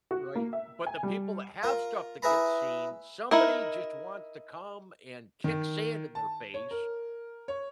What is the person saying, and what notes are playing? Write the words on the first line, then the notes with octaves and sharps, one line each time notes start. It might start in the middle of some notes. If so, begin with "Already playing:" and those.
Right, but the people that have stuff that gets seen, somebody just wants to come and kick sand in their face
F#4
A#3
E5
G#5
G3
F4 A#4
E4 G#4 B4 A#5 B5
D#4 E4 A#4
D#3
A5
C#5
A#4
C#5